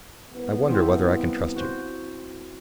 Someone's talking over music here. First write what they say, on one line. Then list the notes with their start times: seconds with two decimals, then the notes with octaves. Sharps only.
I wonder whether I can trust you?
0.33 C2 B3
0.68 F3 C4 E4
1.56 F#4 C5